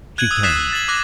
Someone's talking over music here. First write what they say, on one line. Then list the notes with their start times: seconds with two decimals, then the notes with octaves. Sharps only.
She came.
0.18 F#6 G#6 D#7 F#7
0.31 D#6 E6 F#6 G#6 D#7
0.43 D#6 F#6 A6 B6 C7 E7
0.56 E6
0.73 A6 F#7
0.88 D6 F#6 A#6 E7